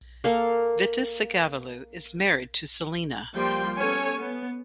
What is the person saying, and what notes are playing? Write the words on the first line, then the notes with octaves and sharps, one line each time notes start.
Vitusagavulu is married to Silina.
A#3 A4 F5
F3 G3 A#3 G5 C6
B3 C#4 A4 C#5 G#5
B3